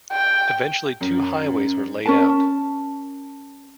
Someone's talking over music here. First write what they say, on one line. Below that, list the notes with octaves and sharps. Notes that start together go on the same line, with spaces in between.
Eventually two highways were laid out.
G5
F#2
C#4 A#4 A5